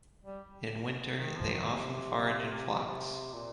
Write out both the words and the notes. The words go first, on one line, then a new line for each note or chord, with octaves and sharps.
In winter, they often forage in flocks.
G3
D#3
F3
D#3
C3
C3
A#2